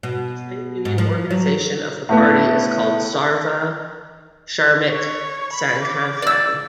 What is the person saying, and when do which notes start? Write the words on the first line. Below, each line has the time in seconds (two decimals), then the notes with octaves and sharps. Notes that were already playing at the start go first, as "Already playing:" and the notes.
The trade union organization of the party is called Sarva Shramik Sanghathan.
0.03 B2
0.85 G#2
0.98 F3
1.31 F#3
2.09 A2 A3 B3
4.90 C#5
5.53 B5
5.83 D6
6.22 D5 E6